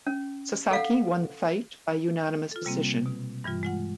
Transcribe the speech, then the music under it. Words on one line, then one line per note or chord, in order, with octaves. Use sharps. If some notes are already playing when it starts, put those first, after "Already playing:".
Sasaki won the fight by unanimous decision.
C#4
A4 F5 F#5
F4 A4
C3 G3 A#3 C4
B2
G2 E3 G3 F4
G#3 F4 F#5